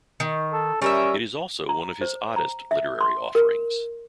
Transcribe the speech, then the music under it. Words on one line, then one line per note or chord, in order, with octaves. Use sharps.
It is also one of his oddest literary offerings.
D#3
A4
G3 C#4 A#4 E5
A#5
C5
A#5
E5
C6
A#4